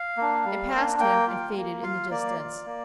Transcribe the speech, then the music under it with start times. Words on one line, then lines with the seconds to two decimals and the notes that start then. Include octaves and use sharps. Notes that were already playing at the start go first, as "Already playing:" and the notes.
It passed him and faded in the distance.
Already playing: F5
0.17 A#3 D4
0.45 G3
0.73 A#3 D4
1.00 A#3 G5
1.27 F4
1.56 A#3
1.83 F4 F5
2.11 A#3 D5
2.38 F4
2.66 A#3